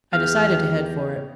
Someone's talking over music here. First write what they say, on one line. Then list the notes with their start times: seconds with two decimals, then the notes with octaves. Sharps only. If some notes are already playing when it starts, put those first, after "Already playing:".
I decided to head for it.
0.13 E2 G4 F5